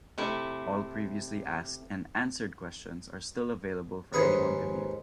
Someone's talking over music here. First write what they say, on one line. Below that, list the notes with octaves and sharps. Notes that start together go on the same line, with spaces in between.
All previously asked and answered questions are still available for anyone to view.
C3 A3 E4
D#2 G#2 G#4 B4 C#5